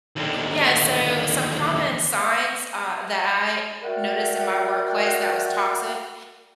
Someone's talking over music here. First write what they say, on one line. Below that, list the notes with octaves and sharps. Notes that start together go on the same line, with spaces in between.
Yeah, so some common signs, uh, that I noticed in my workplace that was toxic
D#2 D3
F#4 A#4 D5 E5 F#5 G5